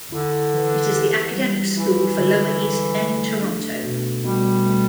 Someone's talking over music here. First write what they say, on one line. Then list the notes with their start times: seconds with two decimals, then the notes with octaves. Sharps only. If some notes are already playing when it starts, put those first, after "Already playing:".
It is the academic school for lower east end Toronto.
0.12 D3 E4
0.54 E3
0.95 G4
1.36 G3
1.77 E3 E4
2.18 D3
2.60 A4
3.00 A3
3.42 D4
3.84 B2
4.24 B2 G3
4.66 A3